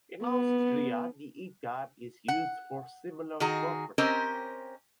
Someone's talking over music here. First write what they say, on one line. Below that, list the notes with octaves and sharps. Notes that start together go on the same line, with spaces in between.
In Austria the e-card is used for similar purposes.
B3
F#5
D#3 F#4 G#4 A#5
C4 C#4 G4 A#4 C5 D#5